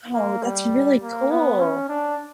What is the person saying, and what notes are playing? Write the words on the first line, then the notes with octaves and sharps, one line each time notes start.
Oh, that's really cool.
A#3
G3
A#3
B3
C#4
D4